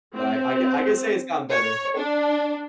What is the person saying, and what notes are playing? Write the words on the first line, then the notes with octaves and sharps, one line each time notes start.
But I I c I can say it's gotten better.
C4
C#5
D4